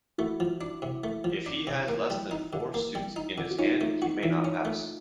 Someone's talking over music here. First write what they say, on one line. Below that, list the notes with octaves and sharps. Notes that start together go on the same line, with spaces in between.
If he has less than four suits in his hand, he may not pass.
A3 E4 F#4
F3
D4
C3
A3
F3
D4
C3
A#3
G3
D#4
D3
A#3
G3
D#4
D3
F#4
C#4 D#4 F4
A3
F#4
E3
C#4
A3